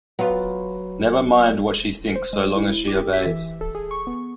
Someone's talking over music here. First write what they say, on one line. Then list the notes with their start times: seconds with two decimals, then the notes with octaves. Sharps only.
Never mind what she thinks so long as she obeys.
0.19 F#3 B3 F4
2.16 C5
2.33 G#3
2.56 E4
2.88 G4
3.13 E5
3.26 E3
3.61 A4
3.75 G#4
3.91 C#6
4.07 B3